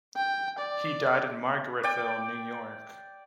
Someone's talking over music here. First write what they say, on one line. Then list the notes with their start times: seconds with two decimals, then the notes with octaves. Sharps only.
He died in Margaretville, New York.
0.16 G5
0.59 D5
1.83 D5 G5